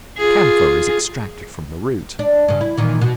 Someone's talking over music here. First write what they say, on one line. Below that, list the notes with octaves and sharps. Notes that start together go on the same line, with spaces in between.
Camphor is extracted from the root.
F4 G#4
D4
G2 C#3
E4
A#2 D#3 E3
B2